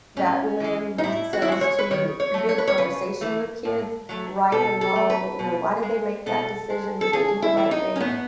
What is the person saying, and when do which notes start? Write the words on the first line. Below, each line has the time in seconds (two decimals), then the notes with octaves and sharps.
that lend themselves to good conversation with kids, right and wrong, you know, why did they make that decision? Did they do the right thing?
0.16 A2 C#4
0.60 E3 G#3
0.98 D#4
1.03 A2 E4
1.33 F#4
1.42 E4
1.47 E3 G#3 F#4
1.61 C#5
1.79 B4
1.91 D#3 C#5
2.20 C#5
2.34 F#3 A3
2.49 C#5
2.58 B4
2.67 C#5
2.78 C#3 B4
3.21 E3 A3
3.65 A2
4.09 F#3 A3
4.52 B2 A4
4.81 A4
4.96 A3
5.10 B4
5.39 B2
5.83 G#3
6.26 B2 A4
6.70 G#3
7.01 A4
7.13 C#3 G#4
7.42 E4
7.57 E3 A3
7.71 D#4
7.96 C#4
8.00 A2 B3